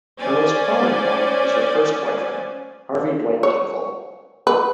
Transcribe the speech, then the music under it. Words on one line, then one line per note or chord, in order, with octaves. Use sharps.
Her most prominent one is her first boyfriend, Harvey Dwight Kinkle.
C#4 C5 D5 G#5
C#5
B4